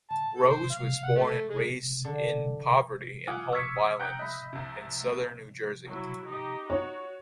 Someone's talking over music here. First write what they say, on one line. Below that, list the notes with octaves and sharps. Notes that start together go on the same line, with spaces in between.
Rose was born and raised in poverty and home violence in Southern New Jersey.
A5
A4
C5
F5
F#5
A3
G#3
D3
F4 F#5 G#5 D6 D#6
C#6 E6 F6 G#6 B6 C#7
D#6
F#5 G5 A#5 F#6 G6
D#5 E5 B5
C2 C3
F#3 E4
D#4 G4 D#5
F#4 C#5